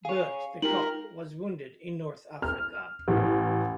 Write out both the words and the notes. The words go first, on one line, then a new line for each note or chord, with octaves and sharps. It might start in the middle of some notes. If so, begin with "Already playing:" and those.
Bert the cop was wounded in North Africa.
G#4 C#5 F5
G#3 D#4 F4 G4 A#4 F#7
F6
A1